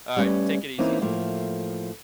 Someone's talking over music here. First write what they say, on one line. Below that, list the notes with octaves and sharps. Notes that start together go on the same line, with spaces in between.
Alright, take it easy.
G3 A3 C#4 B4
E3 A#3 C4 C#4 D#4 E4
A2 F3 A3 A#3 E4